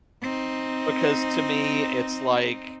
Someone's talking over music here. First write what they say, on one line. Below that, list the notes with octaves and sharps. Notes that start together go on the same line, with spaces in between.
because to me it's like
C4 D#4